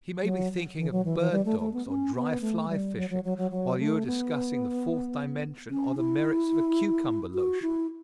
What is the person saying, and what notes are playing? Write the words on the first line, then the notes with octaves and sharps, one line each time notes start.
He may be thinking of bird dogs or dry fly fishing while you are discussing the fourth dimension, or the merits of a cucumber lotion.
F#3
E3
F#3
E3
E3
G3
A3
A3
B3
C#4
B3
A3
G3
F#3
F#3
F#3
F#3
F#3
A3
B3
C#4
E4
F#4
E4